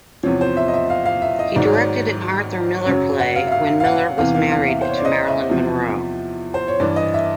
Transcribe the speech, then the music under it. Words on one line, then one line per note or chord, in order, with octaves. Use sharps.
He directed an Arthur Miller play when Miller was married to Marilyn Monroe.
E2 C3 F3 C#5
C5
E5
D#5
E5
F5
F5
E5
D#5
G#2 D#3 F#3 D5
C#5
D5
F#2 C#3 F#3 C#5
F#5
F5
E5
F5
F5
F#5
E2 C3 E3 F5
F5
F5
E5
C5
C#5
D5
D#5
E5
E2 C3 F3
C5
C#5
G2 E3 D5
D#5
E5